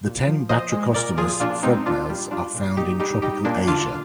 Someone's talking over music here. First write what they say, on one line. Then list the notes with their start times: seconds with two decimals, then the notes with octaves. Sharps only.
The ten "Batrachostomus" frogmouths are found in tropical Asia.
0.05 A#2
0.26 F3
0.49 A#2 C5 D#5
0.72 G#3
0.94 A#2 A#4 D5
1.17 F3 F4 G#4
1.40 A#2 D4 F4
1.63 G#3 C4 D#4
1.86 A#2 D4 F4
2.09 G3
2.31 G3 D4 F4
2.54 A#2
2.76 A#2 D#4 G4
3.00 G3 D#4 G4
3.22 G3 D#4 G4
3.45 A#2 A#3 D4
3.68 D3 D4 F4